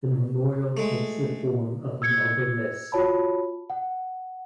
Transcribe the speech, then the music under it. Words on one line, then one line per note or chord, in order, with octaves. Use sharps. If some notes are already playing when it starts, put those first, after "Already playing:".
The memorial takes the form of an Obelisk.
G#3 A3
E6 G#6 C#7
F4 F#4 C#5 A5 B5
F#5